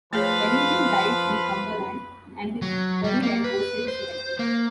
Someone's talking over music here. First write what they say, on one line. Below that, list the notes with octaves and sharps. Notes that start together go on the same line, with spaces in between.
Wellington died in Cumberland, and is buried at Rose Hill Cemetery.
F3 A3 G#4 B4 C#5 F5 B5
F#3
G3
A#3
B4
C5
A#3